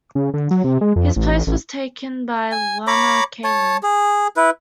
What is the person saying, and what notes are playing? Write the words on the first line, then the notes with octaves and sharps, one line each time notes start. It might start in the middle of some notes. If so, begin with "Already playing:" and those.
His place was taken by Lana Kaelin.
C#3
D3
F#3
C3
G#3
F2
A1
A1
G#5
C#5 A#5 B5 D6
C#5 A5
G#4
E4 B4